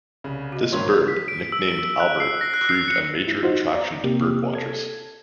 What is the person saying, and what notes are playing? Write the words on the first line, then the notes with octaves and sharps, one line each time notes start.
This bird, nicknamed 'Albert', proved a major attraction to birdwatchers.
C2 C#3
F#4 D#5
G#1 E3 G#3 A#3 D4 C#5
B6
D7
E6
D7
F#6
C7
A#6
F#6
C7
C#7
E4
D#4 F4 F#4 C5
D5 A#5
C3 A#3 G4
A4 G#6